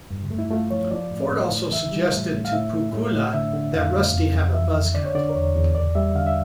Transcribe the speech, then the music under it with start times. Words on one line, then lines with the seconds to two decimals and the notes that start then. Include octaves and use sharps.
Ford also suggested to Pakula that Rusty have a buzz cut.
0.10 G2
0.31 A3
0.39 E4
0.51 A3 F4
0.70 F3 C#5
0.91 F3 D5
1.11 A2
1.31 A2
1.51 A2
1.72 E3 E5
1.92 G3
2.13 A2
2.32 A2
2.45 F5
2.52 A2 E5
2.73 A3
2.93 A2
3.13 A2
3.34 D3 E5
3.53 D3
3.74 F2 F5
3.93 A3
4.13 F2
4.34 F2
4.54 E3 E5
4.75 F2
4.94 D3 D5
5.05 C#5
5.15 D3 D5
5.29 A#4
5.35 E2 C#5
5.55 E2
5.75 D2 D5
5.95 G3 E5
6.15 D3 F5
6.27 E5